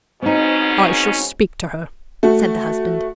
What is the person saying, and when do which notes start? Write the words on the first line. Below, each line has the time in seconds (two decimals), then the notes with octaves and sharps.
"I shall speak to her," said the husband.
0.22 G#2 B2 C4 C#4 D#4
2.23 A3 F#4